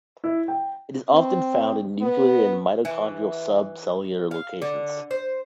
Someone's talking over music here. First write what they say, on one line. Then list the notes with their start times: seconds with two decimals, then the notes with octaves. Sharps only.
It is often found in nuclear and mitochondrial sub cellular locations.
0.24 E4
0.48 G5
1.09 C4
2.01 B3
2.85 E3
4.31 F5
4.62 D3
5.11 C5